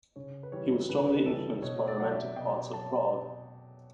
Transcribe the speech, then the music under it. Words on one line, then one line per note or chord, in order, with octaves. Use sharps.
He was strongly influenced by romantic parts of Prague.
C#3 C#5
B4
E3 G3 C#5
C#3 B4
C#5
B4
E3 G3 A4
B2 C#5
D5
F#3 F#5
E5
B2 G5
F#3 A5